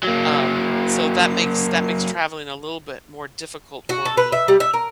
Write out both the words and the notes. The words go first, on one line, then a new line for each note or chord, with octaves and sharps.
Um, so, that makes, that makes traveling a little bit more difficult for me.
F#3 A#3
F#4
A4
B4
E5
G3
E5
A#4